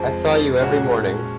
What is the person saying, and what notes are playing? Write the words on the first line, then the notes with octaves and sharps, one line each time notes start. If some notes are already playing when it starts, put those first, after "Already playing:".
I saw you every morning.
Already playing: F2 F3 G#3
A#2 G#3 C#4 F#4